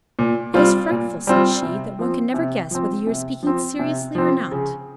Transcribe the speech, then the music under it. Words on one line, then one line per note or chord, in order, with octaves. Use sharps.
"It is frightful," said she, "that one can never guess whether you are speaking seriously or not."
A#2
G3 C4 F4
A#2
G3 C4 F4
C3
F3 C4
C3
F3 C4
C3
F3 C4
C3
F3 C4
C#3